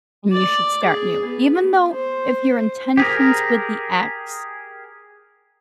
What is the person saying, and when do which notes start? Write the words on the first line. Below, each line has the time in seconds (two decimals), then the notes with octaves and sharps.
and you should start new. Even though, if your intentions with the ex
0.33 D5
0.84 G#4
1.25 B3
1.92 C5
2.97 G4 G#4 A#4